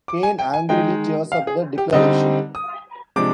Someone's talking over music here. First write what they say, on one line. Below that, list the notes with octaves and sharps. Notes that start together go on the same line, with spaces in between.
Kane angrily tears up the declaration.
D6
G#5
G5
G#5
D#3 G#3 D#4 G5
F5
G#4
G4
D3 G3 C4 D#4 D#5
D#6
C3 F3 G#3 D4 D6